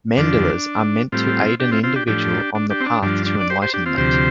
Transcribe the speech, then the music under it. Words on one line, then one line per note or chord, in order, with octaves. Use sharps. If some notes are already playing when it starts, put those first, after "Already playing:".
Mandalas are meant to aid an individual on the path to enlightenment.
F2 D3 F3 D4
A2 G3 C4 F4
D4 G4
C4 F4
C4 F4
D4 G4
A2 F3 D4 G4
D4
D4 G4
C4
D4
G2 F3 D4
D4
D5
G4 C5
G4 C5
D4 G4
C4 F4
D2 C3 F3 G4 C5